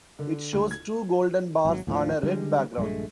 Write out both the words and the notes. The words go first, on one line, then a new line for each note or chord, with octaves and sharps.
It shows two golden bars on a red background.
D3
D2
G#6
G#1 F#3
D#2 A2 D3 F3
D3 G3 G#3
A#1 G2 G#3 A3